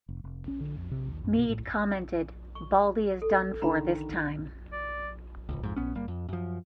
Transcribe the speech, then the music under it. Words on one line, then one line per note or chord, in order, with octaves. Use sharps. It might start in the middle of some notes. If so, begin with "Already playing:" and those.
Meade commented, Baldy is done for this time.
F1
F1
C#4
D3
F2
C3
D#2
F#2
B2
A2
C#6
A4
D3 D#3 A#5 B5
D5
D1 G#1 C#2
F2 G#2
A#1 B3 C#4
F#1 G3 A#3
F2
F#2 F3